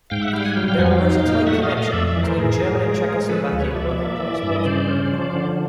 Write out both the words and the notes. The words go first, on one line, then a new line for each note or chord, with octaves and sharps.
There arose a tight connection between German and Czechoslovakian working-class sportsmen.
G#2 F5 G5
E5 F#5
G3 F5 G5
F#5 G#5
F#3 F5 G5
F5 G5
F2 F#5 G#5
F5 G5
D#4
A#2
A3 E5 F#5
D#5 F5
A3
D#5 F5
F2 D5 E5
D5 E5
E3
A#4 C5
A2 G#4 A#4
A2
G#3
G#3
F3 A4 B4
A4 B4
D2
B4 C#5
F3 D5 E5
A#3
E3
G2
D#5
C#3 C5 D5
C#4
F3
D3